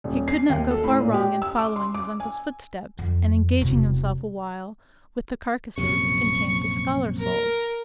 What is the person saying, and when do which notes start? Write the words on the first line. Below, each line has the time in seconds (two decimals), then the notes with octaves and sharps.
He could not go far wrong in following his uncle's footsteps, and engaging himself awhile with the carcases that contained the scholar souls.
0.04 D#1
0.28 C7
0.49 D#2
0.71 A4
0.84 A2
1.00 A#2
1.14 G4
1.42 E6
1.59 D6
1.76 C6
1.95 D6
2.20 G#5
2.99 F2
3.61 E1 C3
5.78 A#1 F#2 C3 C#6
7.20 A#4